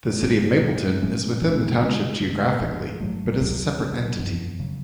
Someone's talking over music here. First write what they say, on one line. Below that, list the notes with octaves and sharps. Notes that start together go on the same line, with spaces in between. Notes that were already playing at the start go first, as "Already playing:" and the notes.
The city of Mapleton is within the township geographically but is a separate entity.
G#2 G#3 B3
B2 F#3 B3
G#2 F3 A3 C#4
A2 F3 G#3 C#4
C#3 G#3 D4
C#3 G#3 B3 D4
G#2 F3 B3 D4
G#2 F#3 A3
C#2 B2 F#3
C#3 F#3 B3 D4
F#2 F3 B3 D4
C#3 F#3